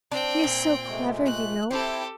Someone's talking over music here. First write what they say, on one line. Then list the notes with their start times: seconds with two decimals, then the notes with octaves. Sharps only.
He is so clever, you know.
0.12 C4 D4 G5
0.44 A#2
0.88 C3 G#3 A3
1.26 F#6
1.71 C4 E4 G4 A4 G5